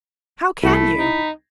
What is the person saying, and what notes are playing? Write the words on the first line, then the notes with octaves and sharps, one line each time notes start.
How can you?
C2 A3 E4 B5
D#4